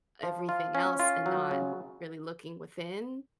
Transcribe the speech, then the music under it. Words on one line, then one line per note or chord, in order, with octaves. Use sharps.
everything else and not really looking within?
F3
F4
C#4
F4
F#3
C#3